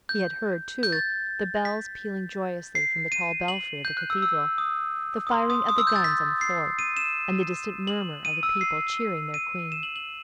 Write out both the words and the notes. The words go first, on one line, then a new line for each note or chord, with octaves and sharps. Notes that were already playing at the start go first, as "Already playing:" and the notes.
He had heard, too, the bells pealing joyously from the tall belfry of the Cathedral, the firing of the guns on the fort, and the distant murmur of the people cheering their Queen.
G6
G6
A6
B6
C7
D#7
F#7
G6
F#6
E6
E6
D#6
D#6
C6
D#6
D#6
E6
G6
A6
B6
C7
D#7
E7
F#7
D#7
E6
C7
D#7
E7
F#7
F#7